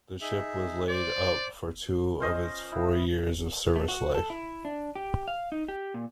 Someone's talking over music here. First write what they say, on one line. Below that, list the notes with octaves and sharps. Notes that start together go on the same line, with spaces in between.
The ship was laid up for two of its four years of service life.
D#4 G#4 E5
C5 D5 D6
C#4 F4 C5 D#5
E4 B4
A3
F#4
A4
E4
D4
G4
F5
D#4
G4
A#2